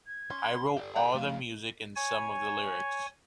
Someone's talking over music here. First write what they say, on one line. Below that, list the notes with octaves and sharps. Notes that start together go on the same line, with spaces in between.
I wrote all the music and some of the lyrics.
G#6
C#4 C6
G4 A4 D5
D5 F#5 G5 B5
F3 A3 F5
C#5 G#5